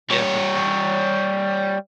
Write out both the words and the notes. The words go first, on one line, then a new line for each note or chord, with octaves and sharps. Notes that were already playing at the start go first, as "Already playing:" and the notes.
Yeah, for sure.
G3 C#5